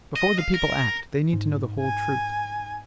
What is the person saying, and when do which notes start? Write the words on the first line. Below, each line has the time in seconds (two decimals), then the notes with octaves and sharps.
Before the people act, they need to know the whole truth.
0.16 D#5
0.39 F5
0.54 A#4
1.33 G#2
1.80 G#5